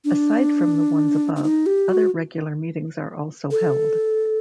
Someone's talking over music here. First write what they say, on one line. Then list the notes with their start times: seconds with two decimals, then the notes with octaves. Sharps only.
Aside from the ones above, other regular meetings are also held.
0.05 D4
1.36 D4
1.43 D#4
1.66 G4
1.89 F#4
3.51 A4